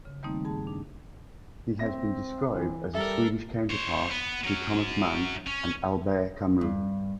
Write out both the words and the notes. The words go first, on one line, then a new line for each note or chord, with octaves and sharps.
He has been described as a Swedish counterpart to Thomas Mann and Albert Camus.
C#3
D#3 G3 A3 A#3 C4 D#4
G2 G#4 A5
D4
C4 E5 A#6
E3
G3 A4 A#4 E5
C5 C#5
B3
F#3 C#4
C#4
G2